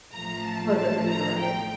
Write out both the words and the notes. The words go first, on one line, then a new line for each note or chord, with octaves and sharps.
We the, I never read it, yeah.
A1 A2 F3 A3 A#5
A5
A5
A#5
G5